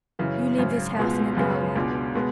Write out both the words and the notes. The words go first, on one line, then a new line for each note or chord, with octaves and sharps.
You leave this house in an hour.
F#2 C#3 E3
G#1 F#2 C#3
C#2 B2 G#3
F#2 C#3 G#3 B3
C#2 B2 G#3 D4
B2 G#3 B3